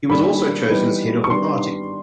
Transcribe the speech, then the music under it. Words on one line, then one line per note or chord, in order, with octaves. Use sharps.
He was also chosen as head of the party.
D#3 G3 A#3 D4 B5
E3 G3 B3 D#4
C#6
D#3 G3 B3 D4 C6